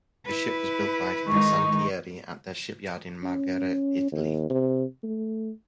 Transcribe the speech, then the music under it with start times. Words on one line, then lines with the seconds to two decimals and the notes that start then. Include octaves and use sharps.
The ship was built by Fincantieri at their shipyard in Marghera, Italy.
0.25 E4 B4
1.28 D#3 G#3 D#4 C#6
3.23 C#4
4.12 D#2
4.50 C3
5.03 A3